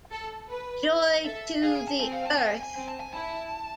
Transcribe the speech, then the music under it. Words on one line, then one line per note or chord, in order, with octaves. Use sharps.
Joy to the earth!
A4
B4
A4 E5
G#4 F5
G#5
A5
C4 G#5
F5
A5
G#5
G#5
G#5
C4 G#5
A5
G#5
E4 A5